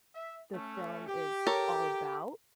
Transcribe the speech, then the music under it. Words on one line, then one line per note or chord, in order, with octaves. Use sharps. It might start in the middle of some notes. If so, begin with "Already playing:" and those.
the film is all about.
E5
A3 C#4
G4
A4 A#4 C#5